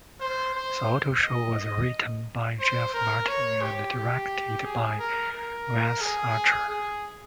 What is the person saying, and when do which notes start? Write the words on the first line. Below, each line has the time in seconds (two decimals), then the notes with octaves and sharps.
"The Otto Show" was written by Jeff Martin and directed by Wes Archer.
0.20 C5
0.55 C5
1.23 D#5
1.57 D#5
2.60 C5
2.94 A#4
3.28 C#5
3.62 G4
3.96 G4
4.64 G#4
4.99 A#4
5.32 A#4
6.01 G#4
6.69 G#4